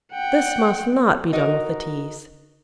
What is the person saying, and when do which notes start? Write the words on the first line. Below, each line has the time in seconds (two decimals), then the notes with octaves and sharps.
This must not be done with the Teas.
0.12 F#5 G5
1.33 D#4 F#4 A#4 D#5